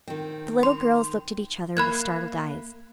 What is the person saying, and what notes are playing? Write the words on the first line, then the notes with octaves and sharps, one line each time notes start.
The little girls looked at each other with startled eyes.
D#3 C4
C6
A#3 E5 B5 F#6 G#6